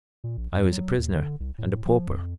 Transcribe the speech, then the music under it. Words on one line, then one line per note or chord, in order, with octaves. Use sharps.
I was a prisoner and a pauper.
A#2
A#1
F2
F#3
D#2
D3
C2
A2
F3
F2